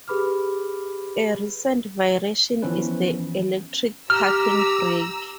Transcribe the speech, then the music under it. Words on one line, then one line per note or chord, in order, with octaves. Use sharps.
A recent variation is the electric parking brake.
G4 G#4 B4 B5 D6 F6
E3 F3 B3 C#4 B4
G4 A#5 E6 F6